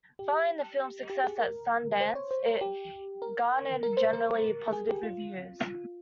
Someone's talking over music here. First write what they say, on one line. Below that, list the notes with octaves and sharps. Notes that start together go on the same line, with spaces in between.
Following the film's success at Sundance, it garnered generally positive reviews.
G4
G4
G4
G#4
A#4
C5
C#5
C5
A#4
G4
A#4
A#4
C5
A#4
G#4
G4
F4